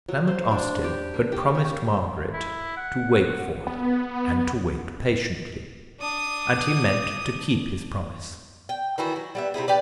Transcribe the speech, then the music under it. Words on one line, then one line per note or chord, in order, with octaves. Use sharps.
Clement Austin had promised Margaret to wait for her, and to wait patiently; and he meant to keep his promise.
F#3
C5
D4
G4
A#3
G4
G4
E4
F#5
F#5
B3
D4 D#6
G5
D#3 E3 E4 F#4
F#3
G3 B3 E5
C3 D#4 E4 G#4
G4 B4 D5